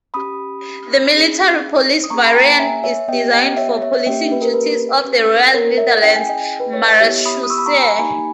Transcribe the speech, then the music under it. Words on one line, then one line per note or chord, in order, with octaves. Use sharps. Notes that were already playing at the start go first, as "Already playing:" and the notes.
The military police variant is designed for policing duties of the Royal Netherlands Marechaussee.
C#4 G4 B5 D#6
C#4 G#4
D#6
A#3 C#4 G#4 A#5 C#6
B5
G5 A#5
E5 G#5
C#5 E5
B3 G4 D#5 G5
D#5 G5
C#5 E5
C#5 E5
E5
A#3 C#4 G4 D#5 G5
B4
A#4
B4
C#4 G4
A#4 C#5
C#5 E5
C#4 E4 G#4 G5
G#5
D#5 G5
B4
C#5
D#5
B3 E4 G4 C#5 E5
B5 D#6
D#6
C#6 E6
B5
A#5 C#6
G#5 B5
A#3 D#4 G4 G#5 B5